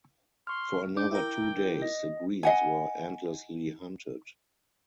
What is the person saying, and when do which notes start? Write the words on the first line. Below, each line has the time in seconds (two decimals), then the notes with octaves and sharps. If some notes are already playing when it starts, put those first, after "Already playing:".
For another two days the greens were endlessly hunted.
0.47 C6 C#6 F6
0.97 D4 D6 G6
1.11 E4 A#4 G5
1.82 D#5
2.43 D#5 F#5 G#5